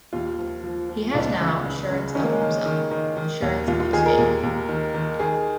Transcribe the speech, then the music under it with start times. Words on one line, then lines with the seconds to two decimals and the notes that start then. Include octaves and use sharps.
He has now assurance of himself, assurance of his faith.
0.13 D#2 F4
0.39 F3
0.64 F3
0.89 F3
1.14 C#2 D#4
1.40 C#3
1.65 C#2
1.91 C#3
2.15 D#3 C#4
2.24 A#3
2.32 G#3
2.42 D#3
2.66 D#3
2.91 D#3
3.17 D#3
3.42 D#2
3.67 D#2 F4
3.80 F4
3.93 D#3 G#4
4.06 A#4
4.18 D#2
4.43 D#2
4.69 D#3
4.94 D#3
5.20 D#3 G#4